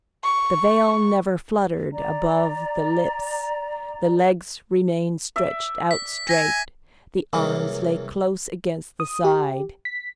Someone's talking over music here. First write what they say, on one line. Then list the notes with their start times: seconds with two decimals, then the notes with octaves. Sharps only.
The veil never fluttered above the lips, the legs remained stretched out straight, the arms lay close against the side.
0.24 C#6
1.92 D5 A#5
5.36 D5 E5
5.91 B6
6.29 G#5 A#6 B6
7.33 C2 C#3 E3 F#3 A#3
9.00 D#6
9.25 G4
9.85 B6